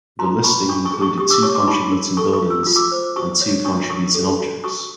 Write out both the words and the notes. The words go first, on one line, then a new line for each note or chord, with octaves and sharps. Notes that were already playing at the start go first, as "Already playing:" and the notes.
The listing included two contributing buildings and two contributing objects.
F4 A#5 C6
B4 B5 C#6
D4 C#6 D#6
C#6 D#6
G#4
C#6 D#6
G4 C#6 D#6
D6 E6
C#5 C#6 D#6
C6 D6
D#4 B5 C#6
A#4
A4 C#6 D#6
C#6 D#6
F4
E6
F4 D#6
D6 E6
C5
F#4 C#6 D#6
C#5
D4 C#6 D#6
A#4 C#6 D#6
A4
F#4
F#4 C#6 D#6